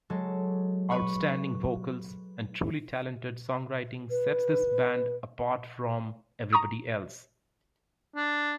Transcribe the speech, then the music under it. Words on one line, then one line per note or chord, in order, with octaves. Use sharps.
Outstanding vocals and truly talented songwriting sets this band apart from everybody else.
F#3 G#3 A4
B4 B5 C#6
B4
A#5 C#6 D#6
D4